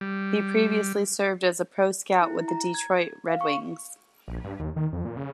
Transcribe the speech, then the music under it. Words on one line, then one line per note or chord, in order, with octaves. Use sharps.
He previously served as pro scout with the Detroit Red Wings.
G3
E4
A#5
G#6
F5
C#6
A#1
G2
D#2
D#3
F2
A#2
C#3